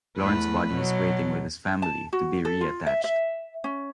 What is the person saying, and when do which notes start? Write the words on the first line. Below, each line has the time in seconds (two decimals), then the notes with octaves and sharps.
Lorne's body is waiting with his family to be reattached.
0.17 E2 A3 B4
0.72 B2 F#3
1.82 A5
2.13 F#4
2.45 A4
2.61 F4
2.87 E5
3.04 E5
3.64 C#4